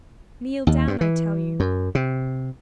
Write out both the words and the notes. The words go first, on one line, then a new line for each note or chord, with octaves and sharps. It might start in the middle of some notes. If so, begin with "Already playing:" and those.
Kneel down, I tell you.
D#2
G2
E3
F#2
C3